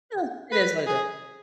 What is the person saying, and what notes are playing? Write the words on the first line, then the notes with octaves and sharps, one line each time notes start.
Ha, it is what it is.
B4
G#4